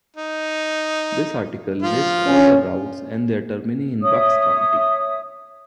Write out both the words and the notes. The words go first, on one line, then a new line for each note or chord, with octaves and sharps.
This article lists all the routes and their termini in Bucks County.
D#4
F3 F4
C#4
C#5 E5 D#6